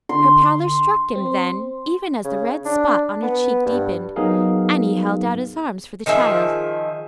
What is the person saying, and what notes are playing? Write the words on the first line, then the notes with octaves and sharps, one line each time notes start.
Her pallor struck him then, even as the red spot on her cheek deepened, and he held out his arms for the child.
D3 C6
C4
C#3
D4
B3
G2
F#3 B3 D#4 G#4 A#4 F5
D#3 F3 G#4 E5